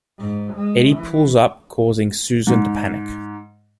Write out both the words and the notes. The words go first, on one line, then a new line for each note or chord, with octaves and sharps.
Edie pulls up, causing Susan to panic.
G#2
G#3
E3
G#2